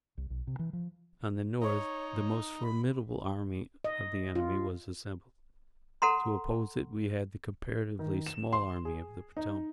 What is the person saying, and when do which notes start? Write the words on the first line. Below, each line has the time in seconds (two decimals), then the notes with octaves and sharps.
On the north, the most formidable army of the enemy was assembled; to oppose it we had the comparatively small Army of the Potomac.
0.18 C2
0.30 B1
0.47 C3
0.59 E3
0.73 F3
1.61 D#4 C#5
2.61 B5
3.84 D#5
4.35 F4
6.02 A4 F#5 A#5 C6
7.99 D#3
8.26 E7
8.53 C6
8.85 G#4
9.37 D#4